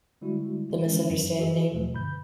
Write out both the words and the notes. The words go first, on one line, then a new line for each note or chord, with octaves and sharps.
the misunderstanding?
D3 G3 G#3 E4 F#4
D3 E3 F3 G#3 C#4 D#4
F#2 F#3
E3 F4 F#4 G#4 A4 D#5
D#2 B2 F#3 A3
G2 D3 B5 G6